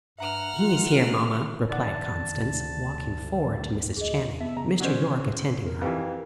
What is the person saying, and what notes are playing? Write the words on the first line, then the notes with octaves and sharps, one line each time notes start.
"He is here, mamma," replied Constance, walking forward to Mrs. Channing, Mr. Yorke attending her.
G2 E5 F#5 A#5 F6
F4
A3
D#3 D5 F#5 A5
D2
D2 G#4 D#5
B3 E5
C#3 A#5
F#3 C#4 C5 D5 D#5
A#4
F2 E3 G4 B4